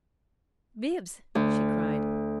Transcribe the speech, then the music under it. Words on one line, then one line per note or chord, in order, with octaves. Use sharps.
"Bibbs!" she cried.
D2